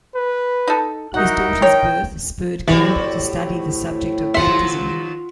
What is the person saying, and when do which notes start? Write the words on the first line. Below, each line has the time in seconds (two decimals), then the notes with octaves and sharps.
His daughter's birth spurred Campbell to study the subject of baptism.
0.15 B4
0.68 D#4 A4
1.14 D#4 E4 F#4 A#4 F#5
1.62 C#5 G5
2.68 A2 E3 G3 C4 F#4 C#5 D5
4.35 D#2 F3 F#3 F4 E5 F#5 C6